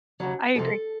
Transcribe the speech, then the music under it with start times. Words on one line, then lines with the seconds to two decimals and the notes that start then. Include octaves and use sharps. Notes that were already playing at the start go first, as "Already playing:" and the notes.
I agree.
0.20 D#2 C#3 F#3
0.55 F2 C3 F3 A4